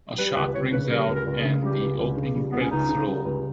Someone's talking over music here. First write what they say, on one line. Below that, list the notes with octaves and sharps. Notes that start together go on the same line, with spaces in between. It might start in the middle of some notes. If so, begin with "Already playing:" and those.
A shot rings out and the opening credits roll.
G3 B4
C#2 B4
C#2 C#5
C#3 B4
G3 A#4
C#2
A#4
C#2
G#4
C#3
G3 G4
C#2
C#2
C#3
G3
C#2 B3
C#4
C#2 D#4
C#3
G3
C#2